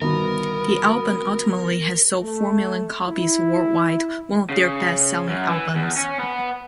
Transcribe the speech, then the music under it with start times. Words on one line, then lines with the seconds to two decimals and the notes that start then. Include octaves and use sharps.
The album ultimately has sold four million copies worldwide, one of their best-selling albums.
0.01 G1 B2 D#3 B3 A#4
2.22 A3
3.08 E4
4.50 C#3
5.28 F#2
5.48 E3
5.75 E2
5.97 C#4
6.19 B3